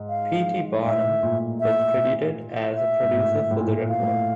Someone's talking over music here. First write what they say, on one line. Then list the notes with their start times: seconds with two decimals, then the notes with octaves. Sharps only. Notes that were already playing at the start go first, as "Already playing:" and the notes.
P. T. Barnum was credited as a producer for the record.
Already playing: G#2
0.09 F5
0.85 A2 E5
1.23 A#2
1.60 E5
2.75 E5
3.01 G#2
3.12 A2
3.51 A2
3.59 A#2
3.68 A2
3.89 A#2 F5
4.02 A2